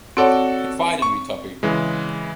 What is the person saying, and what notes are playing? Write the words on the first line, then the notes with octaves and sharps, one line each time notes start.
Confide in me, Tuppy.
C4 F#4 A4 C#5 D5 F#5
C#6
C#3 E3 G#3